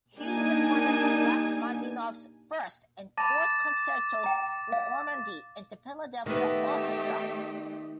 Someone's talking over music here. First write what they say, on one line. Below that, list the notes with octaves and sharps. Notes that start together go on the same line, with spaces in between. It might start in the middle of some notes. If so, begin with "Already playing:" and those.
He recorded Rachmaninoff's First and Fourth Concertos with Ormandy and the Philadelphia Orchestra.
G3 A#3 D4 D#4 G#5
A5 B5 D6 A6 A#6
G5 A#5
F5
D#3 A3 B3 G4 D#5